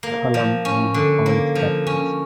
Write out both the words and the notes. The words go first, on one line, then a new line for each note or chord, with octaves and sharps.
Colomb moved on to tactics.
A#3
F3
C#4
D3
A#3
F3
C#4